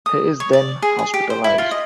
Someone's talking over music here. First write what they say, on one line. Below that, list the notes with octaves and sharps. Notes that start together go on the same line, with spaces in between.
He is then hospitalized.
D#6
C#5
D5
G#4
G#4
G4
C5
E4
F4
D#5